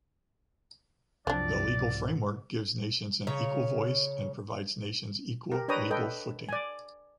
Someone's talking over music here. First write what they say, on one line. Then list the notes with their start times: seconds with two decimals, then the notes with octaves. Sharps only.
The legal framework gives nations an equal voice and provides nations equal legal footing.
1.27 C2 F#2 F3 C4 D4 D5
1.76 G#2
3.27 C#3 C#5 A#5
5.52 G4 A#4
5.68 D4 B4 C#5 G5 A#5 D#6
5.90 A4 B4 D#5 G5
6.49 D5 G#5